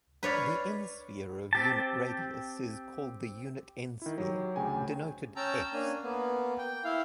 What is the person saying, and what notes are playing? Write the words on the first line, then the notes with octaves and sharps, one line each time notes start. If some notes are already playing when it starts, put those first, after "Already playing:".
The "n"-sphere of unit radius is called the unit "n"-sphere, denoted "S".
B4 C#5 D5 F5
C4 G4 A5
D#3 E4
F#3 G4
D2 C#3 G5 G#5
C#4 G5 A5 A#5 E6
A#3 C#4 D4 G#5
A#3 B3
G5
E4 F5